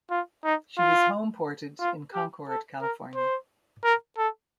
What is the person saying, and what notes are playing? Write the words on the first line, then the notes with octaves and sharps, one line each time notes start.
She was homeported in Concord, California.
F4
D#4
F4
F4
G4
A4
A#4
C5
A#4
A4